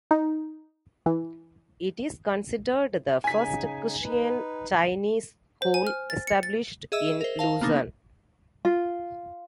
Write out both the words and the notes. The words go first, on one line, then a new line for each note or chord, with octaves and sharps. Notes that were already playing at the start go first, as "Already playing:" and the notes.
It is considered the first Christian Chinese school established in Luzon.
D#4
E3
C#3 D#4 G#5 B6
D#4 B4
C5
G#5
F6
A6
C#7
A6
G#4 D#5 E5 E6
A#4 C5
A#4 F5 A5
A#3 B3 D4 D#4
F4